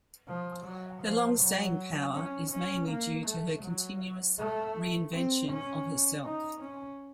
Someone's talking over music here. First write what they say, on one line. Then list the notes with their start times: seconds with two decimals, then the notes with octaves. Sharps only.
Her long staying power is mainly due to her continuous re-invention of herself.
0.27 F3
0.66 F#3
1.02 F3
1.40 F#3
2.14 C#4
2.51 C#4
2.89 A#3
3.27 A3
3.63 F#3
4.38 A3
5.12 C4
5.50 C#4
6.24 D#4
6.61 C#4